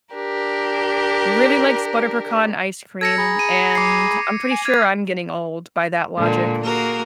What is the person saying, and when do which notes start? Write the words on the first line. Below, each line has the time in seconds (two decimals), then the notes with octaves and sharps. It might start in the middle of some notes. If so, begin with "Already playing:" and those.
really likes butter pecan ice cream, and I'm pretty sure I'm getting old by that logic.
0.15 D4 G4 A#4
3.01 A4 G#6 A#6 C#7
3.18 G#4 A#5 B5
3.39 D#7
3.75 D6 C7
4.51 G#5
4.65 F6 G#6
6.16 A#2 D3 G#3
6.62 A#3 F#4 G#4 A#4